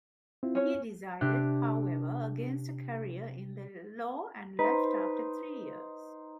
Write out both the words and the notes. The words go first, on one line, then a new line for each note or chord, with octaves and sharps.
He decided, however, against a career in the law and left after three years.
C4 E4 F4
C#4 C#5
C3 D4 G4 F#6
D#4 B4 C5